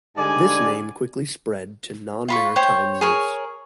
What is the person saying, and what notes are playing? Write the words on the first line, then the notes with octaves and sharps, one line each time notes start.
This name quickly spread to non-maritime use.
G#2 D3 G3 D5 G#5
F4 B5 C#6
C5 C#5 G5
G#4 A#4 C#5